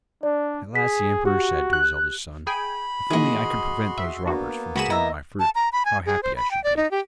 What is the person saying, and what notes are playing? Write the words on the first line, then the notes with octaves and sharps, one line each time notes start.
At last the emperor said to his eldest son, 'If only I could prevent those robbers from stealing my fruit, how happy I should be!'
D4 D5
G#4 B6
F#4 G4
F#6
G#4 G5 G#5 B5
A#2 D#3 E3 F#4 G#4 D#5 C6
E5
A#3 B3 D4 F#4
C#2 F#4 G#4 B5 E7
E4 D#5 E5 A#5
A5
A#5
B5
G#5
G#4
C5
B5
G5
D5
D#4
G4